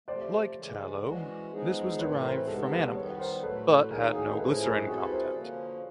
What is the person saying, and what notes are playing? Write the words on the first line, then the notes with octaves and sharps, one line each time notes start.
Like tallow, this was derived from animals, but had no glycerine content.
C3 F3 A3 C5 D5
C#3 E3 G#3 C#4
E3 G#3 C#4 F#4
F3 G#3 B3 D#4 G#4
A2 E3 A3 C4 B4 C#5
A#4 C5
C3 D#3 G#3 B3 A4 B4
A4 B4
D#3 G3 B3 B4 C#5
A#4 C5
A2 F#3 A3 A4 B4
D#3 F#3 A#3 D#4 G#4 A#4
G#4 A#4
A2 F3 G#3 C#4 E4 A4 B4
G#4 A#4
G3 C4 E4 F#4 G#4 A4
B4
A#4 C5
D3 F3 A#3 C#4